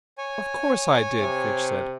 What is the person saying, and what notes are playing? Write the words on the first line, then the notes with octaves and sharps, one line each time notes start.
"Of course, I did," Fitch said.
C#5 G#5
C3